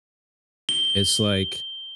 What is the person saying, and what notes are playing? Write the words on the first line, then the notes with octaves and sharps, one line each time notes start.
it's like,
G7